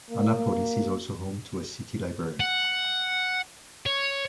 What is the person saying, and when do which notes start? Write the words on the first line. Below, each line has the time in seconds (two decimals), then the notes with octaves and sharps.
Annapolis is also home to a city library.
0.11 A#3
2.40 F#5
3.86 C#5